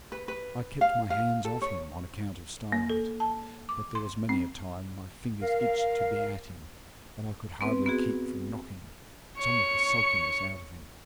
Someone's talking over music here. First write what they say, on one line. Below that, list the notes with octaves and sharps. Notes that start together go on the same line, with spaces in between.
I kept my hands off him on account of Starlight, but there was many a time my fingers itched to be at him, and I could hardly keep from knocking some of the sulkiness out of him.
B4
B4
F5
F5
A4
C#5
A#3
A4
A5
D6
C6
C4
A#4 F5
B3 C4 B4
B3 F#4 G#4
C#5 C#7